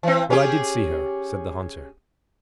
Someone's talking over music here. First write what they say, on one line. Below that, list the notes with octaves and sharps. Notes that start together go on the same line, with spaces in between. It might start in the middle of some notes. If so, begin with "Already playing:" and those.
"Well, I did see her," said the hunter.
E3 C4
C#4 G4 G#4